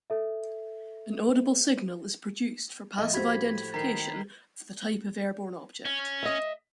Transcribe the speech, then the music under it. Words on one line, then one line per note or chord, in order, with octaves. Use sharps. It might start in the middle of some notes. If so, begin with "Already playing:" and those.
An audible signal is produced for passive identification of the type of airborne object.
A4 E5
A2 F3 A4 D#5 E5
F#4 G4 C5 B5 G#6 B6
D#3 G3 A#5 B6 C7
C#4
D#5 E5